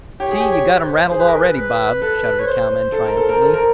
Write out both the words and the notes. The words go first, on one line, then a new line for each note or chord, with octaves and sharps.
"See, you've got him rattled already, Bob," shouted a cowman triumphantly.
G4 C#5
G#4
G4
C#5
B4
C5
G#4 C5
B4
A#4
B4
B4
A4 B4
C#5
C5
A4
A#4
A4
A#4
A4
A#4